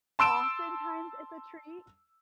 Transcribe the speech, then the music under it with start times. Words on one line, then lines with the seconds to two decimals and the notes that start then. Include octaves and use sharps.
oftentimes, it's a treat,
0.19 A5 C6 E6 D7 E7